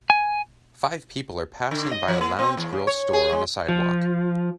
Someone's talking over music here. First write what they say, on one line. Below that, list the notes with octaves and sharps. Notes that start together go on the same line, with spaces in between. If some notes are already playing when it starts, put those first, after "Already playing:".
Five people are passing by a LoungeGrill store on a sidewalk.
G#5
D3
D#5
F3
A#3
C4
E2
C#3
C#5
G#4
G#3
F3